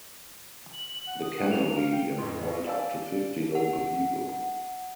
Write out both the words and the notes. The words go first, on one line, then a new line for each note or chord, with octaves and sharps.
The cannery employed up to fifty local people.
F#7
F#7
F#5
D#6
F#5
F7
F5
G5
F2 A2 B4 D#5 C6
D5 F5 G#5 A5 E6
F#5